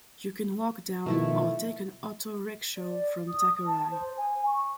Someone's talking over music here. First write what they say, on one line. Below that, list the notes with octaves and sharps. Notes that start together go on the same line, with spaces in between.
You can walk down or take an auto rickshaw from Takari.
B2 D#3 F3 A3 E4 A4
D5
D#6
A5
C5
G#5
C#6